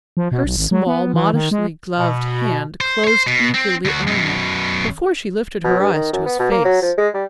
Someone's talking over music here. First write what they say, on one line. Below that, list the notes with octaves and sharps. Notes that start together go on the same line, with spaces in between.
Her small, modishly-gloved hand closed eagerly on it before she lifted her eyes to his face.
F3
B2
B1
G#1
F#3
B3
E3
D#3
G#3
B2
C5
C5 C#5
B2
C4
D2 F#4
F#2 B2
B2
G2
D#3
F#2
B3
B2
A#3
F#3
F3
G#3
G3